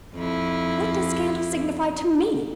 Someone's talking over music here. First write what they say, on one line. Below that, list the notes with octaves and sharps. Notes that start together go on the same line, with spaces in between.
What does scandal signify to me?
F2 E4